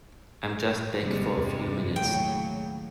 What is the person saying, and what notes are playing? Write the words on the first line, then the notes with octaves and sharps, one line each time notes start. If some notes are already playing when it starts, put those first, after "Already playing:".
I'm just back for a few minutes.
G1 C3 G3 G#3
E2
D#2 A2 C#3 F#3 G5